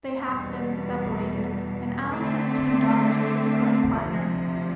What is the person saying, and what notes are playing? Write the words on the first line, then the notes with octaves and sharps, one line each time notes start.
They have since separated and Allan has twin daughters with his current partner.
E2 B2 G3
D3 A3 C4
D2 C3 F3